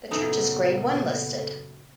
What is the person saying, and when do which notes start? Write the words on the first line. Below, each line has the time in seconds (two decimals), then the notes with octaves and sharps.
The church is Grade One listed.
0.11 F#2 A#2 C#3 B3 D#4 A4